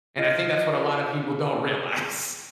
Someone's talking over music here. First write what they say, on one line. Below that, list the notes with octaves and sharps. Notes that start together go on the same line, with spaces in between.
and I think that's what a lotta people don't realize,
F4 D#5